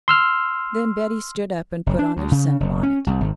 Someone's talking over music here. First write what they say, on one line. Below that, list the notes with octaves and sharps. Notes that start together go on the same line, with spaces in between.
Then Betty stood up and put on her sunbonnet.
C6 E6 F6
F#1
D4
D2
C#3
F#1
C#4
C2
G#1